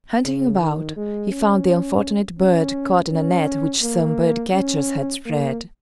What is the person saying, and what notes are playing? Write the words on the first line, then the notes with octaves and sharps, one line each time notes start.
Hunting about, he found the unfortunate bird caught in a net which some birdcatchers had spread.
C#3
D#3
G#3
C#4
C#4
C#4
A#3
C#4
A#3